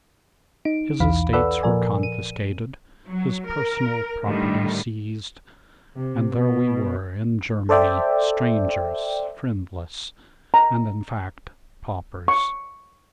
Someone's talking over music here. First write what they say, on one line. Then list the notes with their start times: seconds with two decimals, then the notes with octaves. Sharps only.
His estates were confiscated, his personal property seized, and there we were, in Germany, strangers, friendless, and in fact paupers.
0.65 D#4 D7
1.00 B1 E2 E3 F5 B5
1.33 A4 B4 D5 F#5 B5 E6
1.63 A#2 F3 A#4 D5 G#5
2.03 D#7
3.09 F#3
3.48 A#4
4.24 A2 D3 D#3 G3
5.96 C3
6.32 B2
7.69 A4 C5 D5 E5 G5
10.54 A#5
12.28 C#6